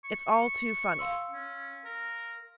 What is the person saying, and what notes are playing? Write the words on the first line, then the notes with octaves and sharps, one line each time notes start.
It's all too funny.
C#6
F5 C6 E6
C#4
A#4